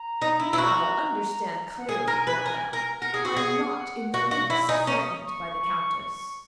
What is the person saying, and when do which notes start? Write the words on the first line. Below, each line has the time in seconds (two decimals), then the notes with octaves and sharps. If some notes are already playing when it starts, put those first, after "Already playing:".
"Now, understand clearly, Coronel, I'm not in the least frightened by the Countess."
Already playing: A#5
0.22 D#4
0.40 E4
0.53 E4
0.58 F#4
1.78 F#5
1.89 G#4 G#5
2.08 A#4
2.27 B4
2.46 A#4
2.73 A#4
3.01 A#4 F#5
3.14 G#4
3.25 F#4
3.37 G#4
4.14 F#4
4.31 F#4
4.50 E4
4.69 D#4 G#5
4.83 C#4 A#5
4.97 D#6
5.11 D#6
5.25 C#6